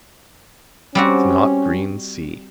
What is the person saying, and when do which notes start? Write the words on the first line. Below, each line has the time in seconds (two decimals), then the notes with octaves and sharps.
The snotgreen sea.
0.95 G3 C4 C#4 F#4